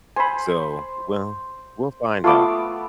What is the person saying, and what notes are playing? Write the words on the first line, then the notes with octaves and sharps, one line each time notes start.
So, well, we'll find out.
C5 G#5 B5
A3 B3 F4 C#6 D6